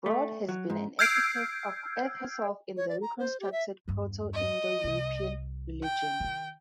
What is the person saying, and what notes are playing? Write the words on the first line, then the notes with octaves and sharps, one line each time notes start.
"Broad" has been an epithet of Earth herself in the reconstructed Proto-Indo-European religion.
A3
F#3
G#2
E6 F6 G6 G#6 C7 D7
C#5
D5
A#5
C5
G4
E5
E2 G2
D#5
C2
G5
D#3 E4